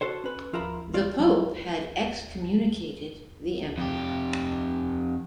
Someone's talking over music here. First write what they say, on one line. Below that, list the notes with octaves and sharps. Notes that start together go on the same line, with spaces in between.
The pope had excommunicated the emperor.
F#4 A4 C5 C#5
C#4 B4
F3 F4 A#4 E5 A#5 B5
F4 D5
F#3
F2 G4